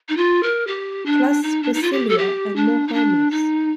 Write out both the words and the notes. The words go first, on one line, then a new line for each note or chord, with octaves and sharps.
Plus we're sillier and more harmless.
D#4
F4
A#4
G4
D4
D#4
D4
D#4
F4
G4
A4
G4
D4
D#4
D4
D#4